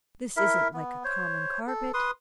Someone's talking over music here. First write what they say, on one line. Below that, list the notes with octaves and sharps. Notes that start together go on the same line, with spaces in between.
This isn't like a common carpet.
E4 A#4 E5
B3
C5 C#5
A4
B4 C6 D#6